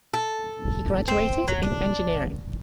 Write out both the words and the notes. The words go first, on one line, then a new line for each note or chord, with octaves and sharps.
He graduated in engineering.
A4
C4
F#3
D4